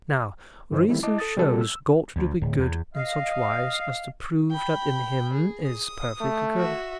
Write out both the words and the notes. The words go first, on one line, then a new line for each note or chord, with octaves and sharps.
Now, reason shows God to be good in such wise as to prove that in Him is perfect good.
G2 E3 D#4 C5
D#3 E3 G3 A3 C4 E4
E4 D#5 A5 D6
A4 D#6 A6
C3 G3 C4 F#4 A4
E6
D2
D1
E2
D#5 F5
G5 B5
G#4
D#6
A3
F#4 E5